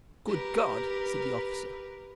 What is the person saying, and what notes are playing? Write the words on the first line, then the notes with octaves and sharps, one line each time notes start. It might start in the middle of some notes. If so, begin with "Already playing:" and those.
"Good God!" said the officer.
G4 A#4 B4